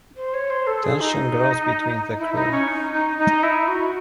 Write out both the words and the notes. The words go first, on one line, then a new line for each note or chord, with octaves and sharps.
Tension grows between the crew.
C5
C#5
C5
A4
G#4
D#4
E4
D#4
C#4
D#4
D#4
D#4
E4
F#4